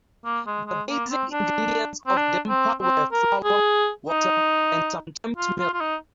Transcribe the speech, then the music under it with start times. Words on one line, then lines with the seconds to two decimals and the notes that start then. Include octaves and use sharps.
The basic ingredients of damper were flour, water, and sometimes milk.
0.25 A#3
0.47 G#3
0.67 G#3
0.89 A#3
1.10 C4
1.32 D4
2.07 C4
2.17 D4
2.49 C4
2.82 C4
3.13 A#4
3.45 G#4
4.09 D#4
5.37 F4
5.59 F4
5.74 F4
5.81 D#4